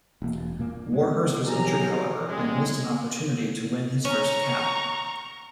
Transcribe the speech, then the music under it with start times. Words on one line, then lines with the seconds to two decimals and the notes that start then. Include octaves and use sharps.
Warhurst was injured, however, and missed an opportunity to win his first cap.
0.22 E1 A#3
0.59 A#2 A#3
0.92 G#3 C4
1.46 B2 F#3 G4 G#4 A#5
2.26 A1 G3 G#3
4.05 C#4 A#5 C#6